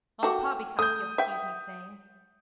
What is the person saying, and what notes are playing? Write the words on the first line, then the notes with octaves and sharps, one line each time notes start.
All poppycock, you'll scuse me saying.
F#4 G4 A4
A3 D#6 G6
E5 G5